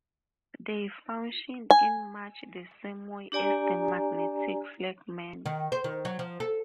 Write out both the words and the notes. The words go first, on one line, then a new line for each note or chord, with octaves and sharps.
They functioned in much the same way as the Magnetic Flagmen.
G#5
D4 G4 D5 G#5 A#5
D#3
C5
D#3
F#3
F3
A4